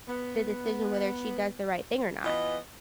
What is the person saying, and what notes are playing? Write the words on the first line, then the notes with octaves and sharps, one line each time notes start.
the decision whether she does the right thing or not.
B3
E3 B3 F4 D#5